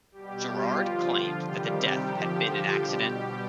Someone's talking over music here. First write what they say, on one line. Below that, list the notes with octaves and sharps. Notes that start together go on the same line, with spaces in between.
Girard claimed that the death had been an accident.
B2 G3 G4
F4
D3 F3 F4
F4
C3 D#3 G3 G4
G4
D3 F3
B2 G3